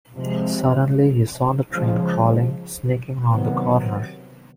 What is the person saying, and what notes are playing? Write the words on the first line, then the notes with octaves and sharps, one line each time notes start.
Suddenly he saw the train crawling, sneaking round the corner.
C3 F3 G#3
C#3 F3 G#3
C3 D#3 F#3 B3